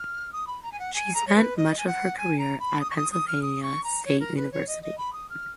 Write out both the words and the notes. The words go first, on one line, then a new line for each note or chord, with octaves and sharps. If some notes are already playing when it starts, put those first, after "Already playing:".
She spent much of her career at Pennsylvania State University.
Already playing: F6
D#6
B5
A#5
G#5
F#5
G#5
A#5
C#5
B4
D#5
G#5
F#5
G#5
A#5
B5
D#6
C#6
D#6
D#6
F6
D#6
C#6
A#5
C#5
A#4
B4
C#5
D#5
D#5
B5
D#6
F6